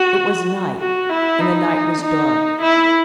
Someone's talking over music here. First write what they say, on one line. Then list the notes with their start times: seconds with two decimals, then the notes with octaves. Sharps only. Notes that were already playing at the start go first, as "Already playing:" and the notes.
It was night, and the night was dark.
Already playing: F#4
0.80 F#4
1.10 E4
1.40 D#4
2.01 D#4
2.61 E4